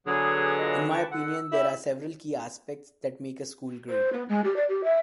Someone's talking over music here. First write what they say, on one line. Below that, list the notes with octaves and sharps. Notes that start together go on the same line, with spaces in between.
In my opinion, there are several key aspects that make a school great.
D3 F#3 B3 G#4 D#6 G#6
F4 C#5 D#5
B4 G5 A5 C#6 D6
D3 F#5 E6
E4 G4
C5
B3
G#3
G4
D5
G4
E5